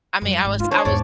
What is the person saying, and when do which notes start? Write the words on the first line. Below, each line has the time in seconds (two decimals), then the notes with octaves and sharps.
I mean, I was I was
0.21 F#2 G3
0.45 G#1
0.60 C#4 D#4 F4
0.71 D4 C5 C#5
0.85 E2 G#2 C#5 D5